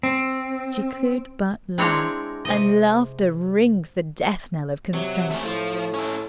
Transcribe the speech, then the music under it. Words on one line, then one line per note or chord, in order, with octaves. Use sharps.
She could but laugh; and laughter rings the death-knell of constraint.
C4
G#3 C4 D4 E4 C#5 A#5
C3 D#5
C3 F#3
A3 C#4
A2 F3
C#4 A4